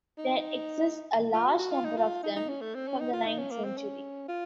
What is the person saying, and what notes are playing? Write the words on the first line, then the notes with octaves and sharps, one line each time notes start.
There exists a large number of them, from the ninth century.
D#4
F4
F#4
F#4
F4
D#4
F4
D#4
D#4
C#4
A3
C4
C#4
D#4
F4
D#4
C#4
A#3
C4
C#4
F4